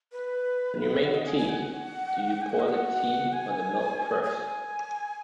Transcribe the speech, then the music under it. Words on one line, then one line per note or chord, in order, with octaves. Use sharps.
When you make tea, do you pour the tea or the milk first?
B4
F#5
D#5
G#5
G#5
F#5
G#5
F#5
D#5
F#5
G#5
G#5